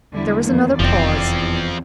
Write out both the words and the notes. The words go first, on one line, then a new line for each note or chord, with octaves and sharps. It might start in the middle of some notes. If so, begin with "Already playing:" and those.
There was another pause.
E2 D3 G3 E4
F2 D#3 A#3
F1 F3 C4 D5